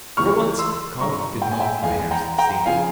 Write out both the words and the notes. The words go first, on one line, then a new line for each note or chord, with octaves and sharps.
For once Kauf did not rehearse the scene.
C#2 C#3 E3 C#6 F6
C6 E6
G1 G2 G3 A#5 C#6
G5
G#5
E5 G5
F2 E3 G#3 F5 G#5
G5 A#5
G5 A#5
C#3 F3 F5 G#5